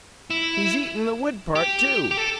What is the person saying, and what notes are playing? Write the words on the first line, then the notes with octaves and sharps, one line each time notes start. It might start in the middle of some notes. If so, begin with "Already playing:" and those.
He's eatin' the wood part, too!
E4
G4
G4
A4